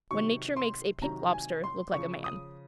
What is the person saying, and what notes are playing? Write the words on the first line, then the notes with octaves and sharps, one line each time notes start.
When Nature makes a pink lobster look like a man.
C3 D#3 F#3 C#6
C6
C3 D#3 F#3 A#5
G#5
C6
C#3 F3 C#6
D#6